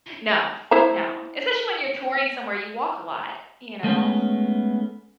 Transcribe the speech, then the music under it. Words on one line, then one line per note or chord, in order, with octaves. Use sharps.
No, no, especially when you're touring somewhere, you walk a lot, you know?
E4 C5 A#5
G#3 A3 B3 C#4